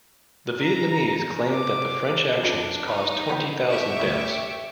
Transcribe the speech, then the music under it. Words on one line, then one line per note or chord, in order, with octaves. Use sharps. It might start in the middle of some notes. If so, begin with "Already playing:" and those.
The Vietnamese claimed that the French actions caused twenty thousand deaths.
A#5
D6
F2 D4
D#4 B5
F#5 G5 B5
G4 E5 C#6
D2 B2